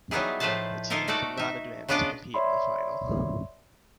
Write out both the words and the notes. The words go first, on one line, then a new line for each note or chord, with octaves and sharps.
The team did not advance to compete in the final.
F#3 G3 B3 D#4 E4 G#4
A2 F3 A3 B4 C5 A5
A#3 D#4 F4 A4 A#4 E5
A3 D#4 F#4 A4 D5
D#4 E5
C#3 B3 D4 F4 D5 D#5
C#5 D5 E5 B5 C6